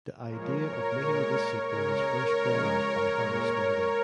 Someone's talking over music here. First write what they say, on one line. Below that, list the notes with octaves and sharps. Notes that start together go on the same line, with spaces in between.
The idea of making this sequel was first brought out by Harry Spalding.
A#2 F3 G#3 A#4 C#5
A#2 G#3
C#3 G#3 A#4 C#5
C#3 F3 G#3
A#2 G#3